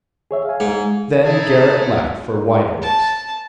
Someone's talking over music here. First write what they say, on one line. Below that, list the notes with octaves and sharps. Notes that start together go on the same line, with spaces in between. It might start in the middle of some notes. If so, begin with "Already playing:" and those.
Then Garrett left for White Oaks.
G#4 C#5 E5
F5 G#5
G#2
D#4 E4 G#4 A5
A5